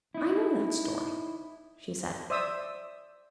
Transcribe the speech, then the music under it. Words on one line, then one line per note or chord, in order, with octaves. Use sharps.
"I know that story," she said.
D#4 E4
C5 D5 E5 D#6 E6